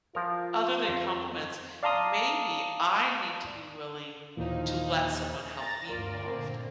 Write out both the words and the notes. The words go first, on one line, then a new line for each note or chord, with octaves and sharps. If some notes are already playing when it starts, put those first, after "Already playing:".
other than compliments, maybe I need to be willing to let someone help me more often.
F3 F4 A#4 F5
F2
D5 F5 A5 A#5 C6 D#6
D#2 A#2 E3 F3 D#4 F5
A#5 A6 A#6
G1 D2 F4 A#4 D5
A#2 D3 A#3 C4